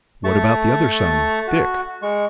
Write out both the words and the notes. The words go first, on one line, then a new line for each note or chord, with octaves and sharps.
"What about the other son--Dick?"
A3 A5 C#6
F#4
G#3 C#6